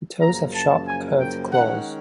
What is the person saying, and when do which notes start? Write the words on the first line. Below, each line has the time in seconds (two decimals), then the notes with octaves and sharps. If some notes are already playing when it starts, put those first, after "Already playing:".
The toes have sharp, curved claws.
0.21 F#2 C#3 F3 A#3 A#5
0.55 A5
0.87 G#5
1.20 G5
1.53 D#3 G#3 C#4 F#5